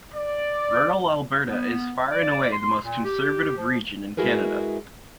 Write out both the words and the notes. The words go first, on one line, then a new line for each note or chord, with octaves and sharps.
Rural Alberta is far and away the most conservative region in Canada.
D5
B3
D5
C6
A#2
G4
F3
G#3 E4 F#4 G#4 A#4 B4